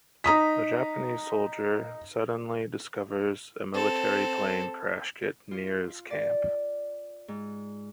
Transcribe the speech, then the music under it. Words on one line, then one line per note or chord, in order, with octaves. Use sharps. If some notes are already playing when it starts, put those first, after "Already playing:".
The Japanese soldier suddenly discovers a military plane crash kit near his camp.
D#4 A#5 D#6 B6
C4 A4
F4
D5
G#2